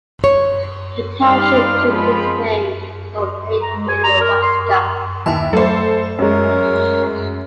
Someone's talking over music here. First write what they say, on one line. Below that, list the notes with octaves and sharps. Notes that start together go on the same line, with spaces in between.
The township took its name from Lake Minnewaska.
C#5
G3 D#4 D5 F5 C6
F3 G#3 C4 F4 B5
A#5
G#3
G#5
A#5
A#4
C6
A#4
D#2 E4 G#5 A5
F#3 A3 A4 C5 E5
F#2 G#3 A#4 C#5